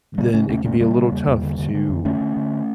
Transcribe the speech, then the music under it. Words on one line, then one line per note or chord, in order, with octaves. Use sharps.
then it can be a little tough to
C#3 G3 A#3
C#3 A3 C#4
E2 A3 C#4
C#3 A3 C#4
C#3 G3 A#3
C#3
E2
E2
D3
D3
D3
F2
D3 A3 C#4
D3
D3